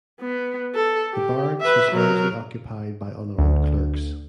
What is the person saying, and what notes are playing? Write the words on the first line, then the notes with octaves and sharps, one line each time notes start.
The Barracks was largely occupied by unarmed clerks.
B3
A4
G4
B4 E5
F#3 A#4
D2